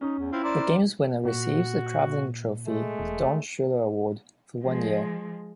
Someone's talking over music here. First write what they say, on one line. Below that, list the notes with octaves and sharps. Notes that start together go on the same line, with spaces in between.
The game's winner receives a traveling trophy, the "Don Shula Award," for one year.
C#4 D#4
E2
C4 E4 F4
A#4 C5 D5
A#2 F#4
G#3 A3
E1
F3 G#3